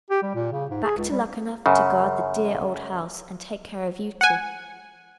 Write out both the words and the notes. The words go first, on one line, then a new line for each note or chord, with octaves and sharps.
"Back to Luckenough to guard the dear old house, and take care of you two."
G4
G3
A#2
C#3
G#2
G#4
C#2
G3
F#2 C#3
F#5 G#5